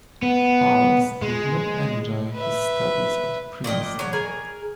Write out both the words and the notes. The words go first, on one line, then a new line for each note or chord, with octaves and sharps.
Alves did not enjoy his studies at Princeton.
B3
G#3
B4 E5
A#2 D5 D#5 G5
F#3 C#5
G#4 A#4 G#5